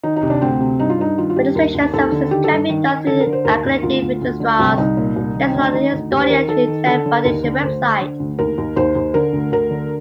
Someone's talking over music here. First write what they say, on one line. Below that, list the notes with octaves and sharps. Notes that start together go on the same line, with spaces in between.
Registration services can be done through accredited registrars listed on Estonian Internet Foundation website.
D#3 D#4
D#4
C3
D4
D2 C4
C3
G2 D#4
F4
G2 D#4
D#3 F4
F4
G2 G4
D#2 A#4
D#2
D#2 A4
D3
D#3 G4
A4
G2
D#3
D#3
D3 A4
A#4
D3
C5
D#2 A#4
D#2
D2 F4
D2
D2
D3
C2 C4
C2 D#4
A#2
C2
D#3
C4
D2
D4
D#3 D#4
D2
D#2 G4
C5
D#3 A#4
D#3 A4
D#3
D3 A4
D3
D#2 A#4
D3
D2 C5
D3
D3
D2
D#2 A#4
D#2
D#2 C5
D#2
D3 A#4
D2
D2 A#4
D3